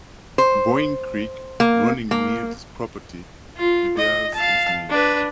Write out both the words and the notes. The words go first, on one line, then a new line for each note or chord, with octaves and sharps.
Boeing Creek running near this property bears his name.
C5
A#3
A#3
F4
D#5
F5 A5
D4 B4